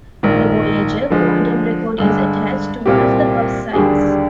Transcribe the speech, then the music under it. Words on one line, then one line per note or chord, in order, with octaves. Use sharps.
The Voyager Golden Record is attached to one of the bus sides.
A#1 G#2 D#3
D3 F3 G#3
G2 D3 G#3
C2 A#2 G3 C4 G4
D#2 D3 G3 D4 G#4